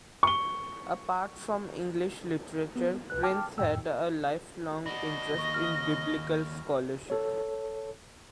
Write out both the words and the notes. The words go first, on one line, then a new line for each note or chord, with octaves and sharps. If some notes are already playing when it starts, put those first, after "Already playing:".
Apart from English literature, Price had a lifelong interest in Biblical scholarship.
C#6 G7
B3
C2 B4 F#6
G5 A5 D6 F6
F2 A2 G5 E6
D4 F#4 D#5 B5
D#2 C#6 A#6
F6
A4 C#5